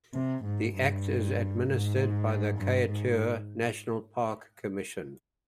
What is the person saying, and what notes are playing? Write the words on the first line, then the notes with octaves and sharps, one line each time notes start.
The Act is administered by the Kaieteur National Park Commission.
C3
G#2
G2
G#2
G2
G#2